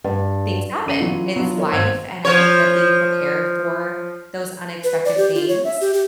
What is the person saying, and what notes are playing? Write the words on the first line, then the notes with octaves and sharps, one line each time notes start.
things happen! It's life, and, I think that being prepared for those unexpected things,
G2
F#1 A4 D#7
E3 F#3 F4
F#3 B3 D4 F4
A#4 C#5
G#1 C5 F5 E6 G#6
F3 C#5
B4
D5
G4
F4
C#5
E5
G4
G4